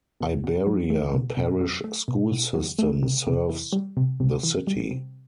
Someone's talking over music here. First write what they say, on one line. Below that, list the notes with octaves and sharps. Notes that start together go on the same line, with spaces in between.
Iberia Parish School System serves the city.
B2
B2
F#3
A3
B2
B2
F#3
A3
B2
B2
F#3
A3
C3
C3
E3
G3
C3
C3
E3
G3
C3